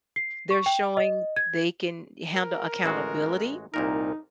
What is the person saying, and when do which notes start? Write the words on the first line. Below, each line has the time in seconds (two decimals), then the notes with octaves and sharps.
They're showing they can handle accountability
0.16 C7
0.51 C#6
0.66 G5
0.97 D#5
1.36 G#6
2.36 A#4
2.84 A1 G#3 F#4
3.74 C2 A#2 D#4 A#4